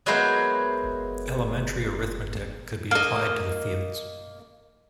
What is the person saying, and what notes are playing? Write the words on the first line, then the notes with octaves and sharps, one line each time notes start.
Elementary arithmetic could be applied to the fields.
F#3 G#3 A#3 B3 E4 C5
A#3 D#5